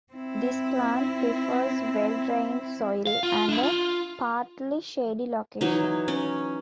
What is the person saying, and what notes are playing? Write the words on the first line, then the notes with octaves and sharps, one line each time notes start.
This plant prefers well drained soil and a partly shady location.
C4 E4
F5
F4
D4 E4
F4
E3 F#3 D#4
C#4